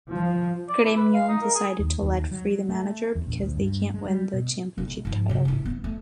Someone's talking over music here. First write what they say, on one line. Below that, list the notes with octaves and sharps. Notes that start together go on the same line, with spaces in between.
Gremio decided to let free the manager, because they can't win the championship title.
F3
D5
E4
B4
F5
D#4
A#4
G#4
D#2
D#2
F#3
A3
E2
A#1
D2
G2
G#3
G3
B2
B1
G#2 F3
A#2 C#3
A1 E4
B3
A3